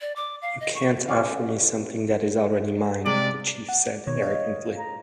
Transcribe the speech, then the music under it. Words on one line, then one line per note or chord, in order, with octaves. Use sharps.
"You can't offer me something that is already mine," the chief said, arrogantly.
D5
D6
F5
D#5
C#6
A1 C#4 C#5 D5 F5
C3 G#3 D5
F#5
B2 D#3 C#5
D#5 F5
A#5